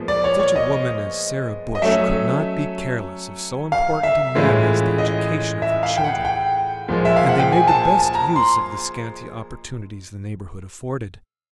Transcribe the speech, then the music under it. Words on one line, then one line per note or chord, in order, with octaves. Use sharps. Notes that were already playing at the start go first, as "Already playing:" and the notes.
Such a woman as Sarah Bush could not be careless of so important a matter as the education of her children, and they made the best use of the scanty opportunities the neighborhood afforded.
Already playing: A#2 F3 G#3 B3
D5
C#5
C#5
D#5
D#5
F#3 A3 C#4 E5
F5
E5
A2 E3 G#3 C#4 F4
D#5
E5
F5
G5
F#5
G5
A#2 F3 G#3
E5
F5
F#5
G5
G#5
A5
G#5
A5
A#5
C6